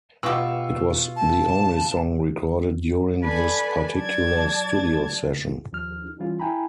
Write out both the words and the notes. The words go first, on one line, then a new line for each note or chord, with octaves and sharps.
It was the only song recorded during this particular studio session.
B2 F4 G4 C#6 E6
A5
A4 B4 D5 G#5 B5
F#3 D5 A5 G#6 A6
D#2 F3 F6
E3 G3 C#4 F4
E4 G5 G#5 A#5 B5